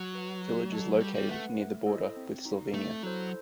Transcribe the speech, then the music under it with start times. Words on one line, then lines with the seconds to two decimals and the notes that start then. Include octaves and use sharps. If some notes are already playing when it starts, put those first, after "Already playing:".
Village is located near the border with Slovenia.
Already playing: F#3
0.13 F#4 B4 F#5
0.42 F#4
0.72 A4 D#5 A5
1.00 G3 F#4
1.14 G3
1.29 A3 B4 F#5
1.58 A3
1.87 E4 A4 C5 D#5
2.17 C4
2.45 D#4 F#4
2.74 A3 C4
3.02 F#3 E4 A4 C5